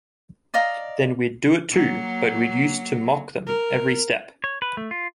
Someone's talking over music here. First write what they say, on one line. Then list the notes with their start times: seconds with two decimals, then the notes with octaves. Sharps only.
Then we'd do it too, but we used to mock 'em every step.
0.54 D5 D#5 F5 A#5
1.70 F#3 A#3
3.46 A#4
4.44 C#5
4.62 B4
4.77 A3
4.91 F4